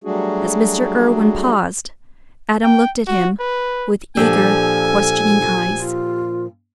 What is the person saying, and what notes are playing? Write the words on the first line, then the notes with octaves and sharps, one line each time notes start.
As Mr. Irwine paused, Adam looked at him with eager, questioning eyes.
F#3 G3 A3 D4 F#4 G#4
G5
F#4
B4
A#2 F3 D4 G4 A4 G#5 E6 G6
F4